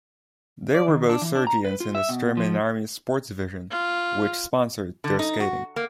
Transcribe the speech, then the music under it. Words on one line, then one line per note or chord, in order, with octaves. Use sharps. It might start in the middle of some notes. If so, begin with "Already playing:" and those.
They were both sergeants in the German Army's sports division, which sponsored their skating.
D5
D#3
D4
E3
D4
A#5
B4
F4
E5
B2
F3
F4
D3
D#4
F#4
A#3